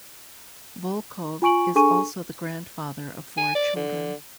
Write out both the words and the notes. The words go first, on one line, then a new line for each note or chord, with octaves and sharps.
Volkov is also the grandfather of four children.
F4 G#5 C#6 D7 F#7
D4 G#4 A4 G#5 C#6 D#7
G#5
D5
D3